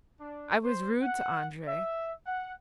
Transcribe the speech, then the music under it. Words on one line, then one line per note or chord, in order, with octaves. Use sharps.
"I was rude to Andrey!"
D4
C5
F#5
E5
F#5